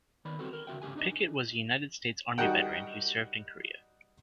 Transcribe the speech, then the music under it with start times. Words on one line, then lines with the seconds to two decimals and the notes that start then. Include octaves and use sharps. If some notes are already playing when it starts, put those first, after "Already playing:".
Pickett was a United States Army veteran, who served in Korea.
0.25 D#3 B3 D5 B5
0.39 C4 F#4 G4 A4 B4
0.53 A#4
0.67 D2 C#3 F#4 E5 G5
0.82 G#2 C#3 A3 G4 G#5
0.96 D4 D#4 D5 D#5
2.38 G3 D#4 F#4 A#4 F#5 G5